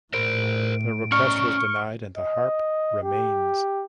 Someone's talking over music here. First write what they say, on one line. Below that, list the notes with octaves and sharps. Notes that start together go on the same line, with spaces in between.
The request was denied and the harp remains.
A2 A#4 C5 D7
C#4 D5 A#5 C#6 F6
D#5
G4